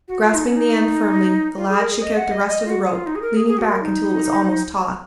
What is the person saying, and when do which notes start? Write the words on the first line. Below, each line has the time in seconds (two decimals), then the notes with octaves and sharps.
Grasping the end firmly, the lad shook out the rest of the rope, leaning back until it was almost taut.
0.08 F#4
0.23 F4
0.34 D#4
0.45 C#4
0.56 D#4
1.57 F4
1.69 G#4
1.80 A#4
1.91 G#4
2.02 D#5
2.17 F#5
2.31 D#5
2.47 D#5
2.65 F4
2.70 F#4
2.84 F#4
2.92 F4
3.06 D#4
3.15 G#4
3.22 A#4
3.37 G#4
3.47 G#4
3.58 F#4
3.70 A#4
3.81 D#4